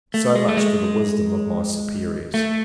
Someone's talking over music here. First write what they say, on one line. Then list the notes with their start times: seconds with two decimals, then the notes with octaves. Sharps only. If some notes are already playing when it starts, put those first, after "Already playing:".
So much for the wisdom of my superiors.
0.14 A3
0.36 G#3
0.49 A3
0.57 G#3
2.34 A3